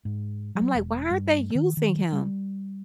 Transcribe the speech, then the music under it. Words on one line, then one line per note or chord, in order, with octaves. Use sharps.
I'm like, "Why aren't they using him?"
G#2
F#3
E1
G2
D#3
D#3
G3